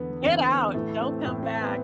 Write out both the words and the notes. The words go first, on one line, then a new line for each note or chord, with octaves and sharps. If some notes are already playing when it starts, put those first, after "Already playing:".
Get out, don't come back.
Already playing: E2 D3 B3
E2 D3 C4
B3
A2 E3 A3
C4
A2 E3 C4
C4
B3